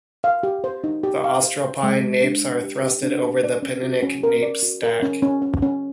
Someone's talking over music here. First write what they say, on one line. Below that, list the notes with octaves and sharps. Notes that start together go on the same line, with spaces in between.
The Austroalpine nappes are thrusted over the Penninic nappe stack.
F5
G4
C5
D#4
G4
F5
C5
C5
G#3
G#3
D4
D4
G4
G4
D4
G4
D5
C#4
F#4
C#4
A#4
D5
F#4
A#4
C#4
C#4
C#4
C#4